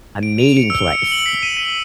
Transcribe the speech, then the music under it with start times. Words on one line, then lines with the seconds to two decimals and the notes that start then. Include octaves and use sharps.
A meeting place.
0.23 D7
0.38 F7
0.57 C#7
0.70 E6
0.93 C#7
1.12 F#7
1.26 B6
1.43 D#7
1.57 B6